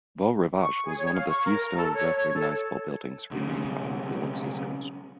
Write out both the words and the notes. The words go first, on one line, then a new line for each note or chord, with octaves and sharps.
Beau Rivage was one of the few still recognizable buildings remaining on Biloxi's coast.
C#6
G#4
C#5
F5
C#6
A#4
A#5
A4
C#5
C#5
A4
B1 C#3